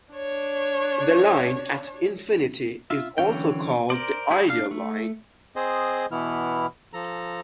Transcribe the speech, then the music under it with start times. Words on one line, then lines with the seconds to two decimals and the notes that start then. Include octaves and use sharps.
The line at infinity is also called the ideal line.
0.12 D4 C#5
2.90 F4 E5
3.18 D3 E3 F#3 C#4 G5
3.90 A#4 C5 D5
4.31 E4 G4 G#4 C#5
4.48 D4 F5
4.71 A3
5.56 C4 G#4 C5 D#5
6.12 B2 E3 B3 E4 F6
6.94 F3 A4 A#5